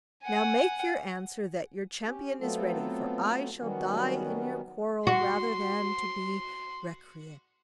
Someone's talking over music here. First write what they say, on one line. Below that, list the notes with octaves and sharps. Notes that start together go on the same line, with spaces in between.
NOW make your answer that your champion is ready, for I shall die in your quarrel rather than to be recreant.
F#5 G#5
C#4 G4
F#3 A3 B3 C4 F4 A4
D#3 F#3 G3 B3 C#4 F#4
F#4 C6